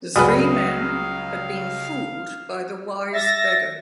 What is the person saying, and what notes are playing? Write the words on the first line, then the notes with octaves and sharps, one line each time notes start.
The three men had been fooled by the wise beggar.
C#2 F#3 G3 G#4 B4 F5 D#6
E5 A6 A#6